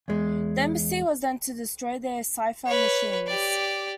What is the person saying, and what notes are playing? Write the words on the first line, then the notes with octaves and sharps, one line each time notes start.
The embassy was then to destroy their cipher machines.
E2 G#3
B4 C#5
G4 D5